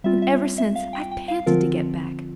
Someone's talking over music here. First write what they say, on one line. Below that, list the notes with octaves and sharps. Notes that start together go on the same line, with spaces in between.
And ever since, I've panted to get back.
G3 C4 F4 E5
E5
E5
F5
G5
G5
F5
D3 F3 C4 F4 A#4